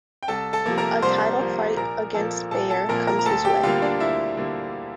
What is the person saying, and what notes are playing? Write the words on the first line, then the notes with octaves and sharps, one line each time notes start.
A title fight against Baer comes his way.
G5
C2 A4 A5
A4 A5
C3 F3 A#3
A#4 A#5
C2 C5 C6
C3 F3 A#3
A#1 A#4 A#5
A#2 F3 A#3 A4 A5
A#1 A4 A5
A4 A5
A#2 F3 A#3 A#4 A#5
A#4 A#5
A#5
D2 A4 A5
G4 G5
D3 G3 A#3 F4 F5
D4 D5
D2 E4 E5
D3 G3 A#3